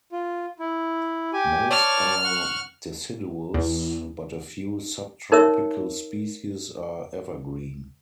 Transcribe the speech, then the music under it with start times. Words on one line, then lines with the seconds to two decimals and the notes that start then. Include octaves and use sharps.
Most are deciduous, but a few subtropical species are evergreen.
0.12 F4
0.60 E4
1.33 G4 G#5
1.71 C#5 D5 A5 F6
2.24 F#5 C#6
3.54 E2
5.32 D#4 A#4 C#5 E5 E6